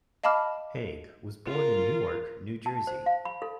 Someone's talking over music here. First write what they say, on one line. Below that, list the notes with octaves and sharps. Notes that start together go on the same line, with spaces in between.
Haig was born in Newark, New Jersey.
D#5 F5 A5 B5 D6 F6
F4 A#4
A5
C5
F5
B5
A4